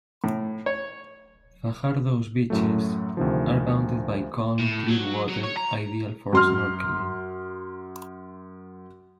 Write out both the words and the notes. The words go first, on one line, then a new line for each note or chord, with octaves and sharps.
Fajardo's beaches are bounded by calm, clear water ideal for snorkeling.
A2
C#5
F#2 A2 F#3 A3
D2 C3 D#3 F3
A2
F#3
F#3
C#5
A#5
F#2 C6 F6